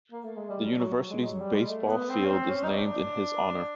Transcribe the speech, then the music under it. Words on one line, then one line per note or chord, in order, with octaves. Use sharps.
The University's baseball field is named in his honor.
A#3
A3
G#3
G3
F#3
F#3
G#3
F#3
G3
G#3
A3
A#3
B3
C4
C#4
C4
C#4
D#4
D4